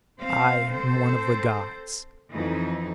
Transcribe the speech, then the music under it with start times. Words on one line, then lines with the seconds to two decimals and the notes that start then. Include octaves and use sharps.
I am one of the gods.
0.20 C4 C5 F5
0.70 C4 A4 C5
2.32 F2 E3 D#4